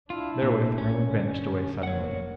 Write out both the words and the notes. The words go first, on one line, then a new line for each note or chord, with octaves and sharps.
Therewith Merlin vanished away suddenly.
D4 E4 F4
A#2
A#1 C#4
D3
F1 A#3 C#5 F#5